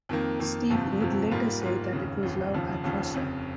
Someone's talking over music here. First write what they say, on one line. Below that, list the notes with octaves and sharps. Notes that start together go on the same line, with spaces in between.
Steve would later say that it was love at first sight.
F2 D#3 A#3
F2 D#3 A#3
G1 F2 C3 F3
G1 F2 C3 F3
G#2 G3 A#3 F4
G#2 G3 A#3 F4
F1 D#2 C#3
F1 D#2 C#3
F1 D#2 C#3 F3
F1 D#2 C#3 F3
F1 F2 C#3